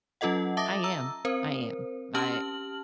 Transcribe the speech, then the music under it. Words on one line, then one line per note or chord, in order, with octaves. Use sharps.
I am. I am. I uh,
F#3 C#4 F4 A4 D#5 F#5
E5 A5 D6 D#6 A6 A#6
A#5 E6
C4 A#4 C5
C#4 G4 A5 F6 F#7